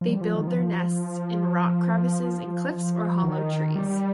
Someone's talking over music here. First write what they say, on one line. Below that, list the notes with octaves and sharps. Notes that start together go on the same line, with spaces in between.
They build their nests in rock crevices in cliffs or hollow trees.
F3
G3
F3
D#3
F3
F3
F3
D#3
G3